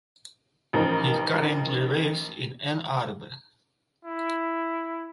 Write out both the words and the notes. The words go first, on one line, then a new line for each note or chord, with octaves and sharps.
He currently lives in Ann Arbor.
A1 F3 D#4 A#4
E4